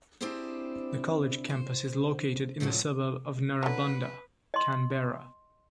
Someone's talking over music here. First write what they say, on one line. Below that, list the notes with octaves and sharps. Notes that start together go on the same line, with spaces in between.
The college campus is located in the suburb of Narrabundah, Canberra.
C4 D4 E4 G4 G#4 C5
C5
A2 D3 F3 F#3 G#3
D3 F#3 B4
D#5 C6